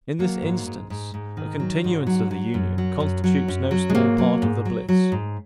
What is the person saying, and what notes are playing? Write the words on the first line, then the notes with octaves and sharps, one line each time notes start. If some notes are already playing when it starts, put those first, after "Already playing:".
In this instance a continuance of the union constitutes no small part of the bliss.
F#3 A#3
G#2
G#2
G#2
G#2
D#3
F#3
G#2
F#3
F#3
F#2
F#3
F#2
F#3
F#2
F#3
G#3
G#2 A#3
F#3
G#2
F#3
F#3
G#2